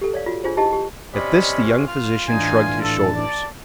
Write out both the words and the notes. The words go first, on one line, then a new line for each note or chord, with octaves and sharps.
At this the young physician shrugged his shoulders.
G4 A4
C#5 D5 F5
F4 F#4
D4 F4 G#4 C5
D#4 E4 G4 D#5 A5
G4
C3 C#4 D5 D#5 B5
F4 F6
A2 E3 D4 D#4 G#5
A4 A5
D5